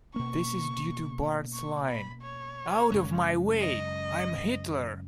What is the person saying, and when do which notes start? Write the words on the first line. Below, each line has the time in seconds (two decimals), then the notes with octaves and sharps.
This is due to Bart's line "Out of my way, I'm Hitler".
0.14 B2 A#3 C#4 C#6
1.53 C#6
1.87 B5
2.22 C#5
2.92 F#2 C#3 G#3
3.61 D#5